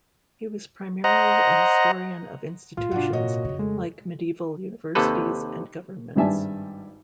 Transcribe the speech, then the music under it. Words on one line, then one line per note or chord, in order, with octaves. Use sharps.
He was primarily a historian of institutions, like medieval universities and governments.
C5 D#5 F#5 A#5
A2 G#3 F4
G#2 C3 D4 F#4 F#5
A#2 F#4 C#5 D#5
F2 C#3
G#3 A3
D#2 C3 A4 B4
G#1 G2 G3 E5 G#5 A5